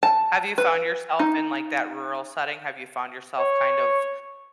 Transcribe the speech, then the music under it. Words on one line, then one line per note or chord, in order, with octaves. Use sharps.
Have you found yourself in, like, that rural setting? Have you found yourself kind of,
A5
B4
D#4
C#5